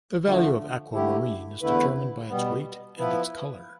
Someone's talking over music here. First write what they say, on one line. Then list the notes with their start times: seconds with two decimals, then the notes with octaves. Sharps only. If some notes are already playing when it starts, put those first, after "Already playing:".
The value of aquamarine is determined by its weight and its color.
0.25 D3 F3 A3
0.93 D3 A3 E4 G4
1.61 E2 D3 A3 E4 B4
2.30 B2 G3 B3
2.98 F3 B3 E4 B4